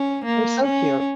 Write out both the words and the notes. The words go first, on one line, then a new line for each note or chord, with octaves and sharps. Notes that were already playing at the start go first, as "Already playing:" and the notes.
They're so cute.
Already playing: C#4
A#3
C#4